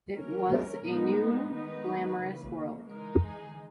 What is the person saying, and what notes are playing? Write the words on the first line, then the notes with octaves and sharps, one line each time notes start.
It was a new, glamorous world.
E3 G3 C#4 A#4
A#2 G#3 B3 D#4
D#3 G#3 B3 D#4 B4
C#3 E3 A#3
E3 G#3 D#4 A#4
G#4